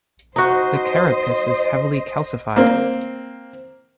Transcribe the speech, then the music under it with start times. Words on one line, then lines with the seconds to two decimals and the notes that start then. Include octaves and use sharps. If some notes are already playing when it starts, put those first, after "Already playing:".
The carapace is heavily calcified.
0.36 D#4 F#4 C5 D#5
2.56 A#3 C4